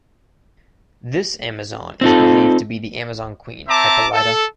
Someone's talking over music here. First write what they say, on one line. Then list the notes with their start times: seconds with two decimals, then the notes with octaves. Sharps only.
This Amazon is believed to be the Amazon queen Hippolyta.
2.01 C4 D#4 F4 A4
3.68 C4 E5 A5 A#5 D6
4.13 A4